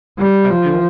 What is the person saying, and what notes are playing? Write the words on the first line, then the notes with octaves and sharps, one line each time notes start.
I feel.
G3
F3